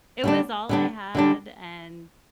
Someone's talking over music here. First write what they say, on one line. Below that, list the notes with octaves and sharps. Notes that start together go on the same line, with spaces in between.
It was all I had, and
D3 G3 D4
D3 G3 D4
D3 G3 D4